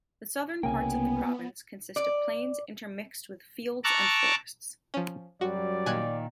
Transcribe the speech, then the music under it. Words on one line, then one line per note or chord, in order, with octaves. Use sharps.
The Southern parts of the province consist of plains intermixed with fields and forests.
C2 C#3 A#3 B3 G5 G#5
D5
A5 A#5 C#6 D6 E6 F#6
F3 C#4
F#2 F#3 G3 F#4 D5
A#2 D#3 G#5 F#6 G#6